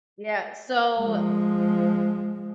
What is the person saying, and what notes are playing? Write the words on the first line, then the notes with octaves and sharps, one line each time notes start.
Yeah, so
F3 G#3